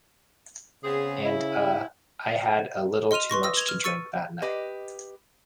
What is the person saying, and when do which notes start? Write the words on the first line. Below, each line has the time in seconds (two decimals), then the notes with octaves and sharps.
And uh, I had a little too much to drink that night.
0.84 C#3 B3 C4 G#4
1.25 E4
3.11 D#5 C6 F6 D#7 F7
3.30 B4 C6 C#6 A#6
3.43 D#6 E6 A#6
3.57 G#6 F7
3.69 F6
3.84 C#6 E6 A6 C#7 D#7
4.42 G4 B4 D#5